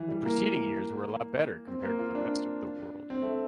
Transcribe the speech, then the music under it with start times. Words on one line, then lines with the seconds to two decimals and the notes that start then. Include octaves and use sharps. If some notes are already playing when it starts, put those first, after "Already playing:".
The preceding years were a lot better compared to the rest of the world.
Already playing: E3
0.08 G3
0.25 A#3
1.68 C4
1.83 A#3
1.99 F4
2.15 D4
3.10 C4
3.22 A3